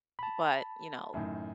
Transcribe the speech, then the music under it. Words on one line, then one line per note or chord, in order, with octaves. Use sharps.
but, you know
A5 B5
F#2 A2 D#3